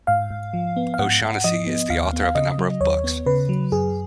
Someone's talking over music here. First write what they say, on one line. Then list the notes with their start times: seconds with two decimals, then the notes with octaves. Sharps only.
O'Shaughnessy is the author of a number of books.
0.07 G#2 F5
0.31 G#2
0.53 F3
0.76 B3
0.94 F5
0.99 G#2 F#5
1.22 G#2
1.44 F3 D#5
1.67 B3
1.90 D#2 F5
2.13 B3
2.23 F5
2.35 C#3 D#5
2.58 F#3
2.81 D#2 C#5
3.04 B3
3.26 C#3 B4
3.49 F#3
3.72 F#2 G#4